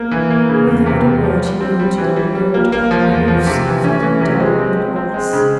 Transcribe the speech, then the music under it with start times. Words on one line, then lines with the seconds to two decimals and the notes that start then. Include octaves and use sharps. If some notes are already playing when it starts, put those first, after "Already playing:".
Without a word he mounted and rode, the hoofs thudding dull on the grass.
Already playing: A#3
0.11 E3
0.31 A#3
0.49 C#3
0.67 E2
0.86 C3
1.04 E2
1.24 F3
1.42 G3
1.61 C4
1.79 G3
1.98 E3
2.16 G3
2.35 G3
2.54 A#3
2.72 A#3
2.91 F3
3.09 E2
3.28 F3
3.46 C3
3.66 E3
3.84 C#4
4.03 E3
4.21 C3
4.40 G#3
4.59 C4
4.77 C4
4.96 C4
5.14 G#3
5.33 C#3